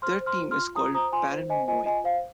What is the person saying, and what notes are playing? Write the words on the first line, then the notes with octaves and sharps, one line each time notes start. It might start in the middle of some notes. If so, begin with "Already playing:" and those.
Their team is called Barrenmoey.
C5 C6 F6
C5
C6 F6
F4
C6 F6
F4
F4 A#5 D#6
C5 A#5 D#6
F4 G#5 C6
C5
C5 D#5 G#5
F4 D#5 G#5
F4 D#5 G#5
C5 F5